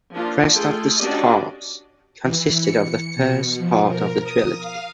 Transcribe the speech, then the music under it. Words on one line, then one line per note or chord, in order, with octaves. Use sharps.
"Crest of the Stars" consisted of the first part of the trilogy.
F3 A#3 D4 F4
A3 F4 G#4 A4 G5 C6
C#4 D4 F#4 G4 D5 D#5
E3
C#7
B2
F3
A#4
D#6
F5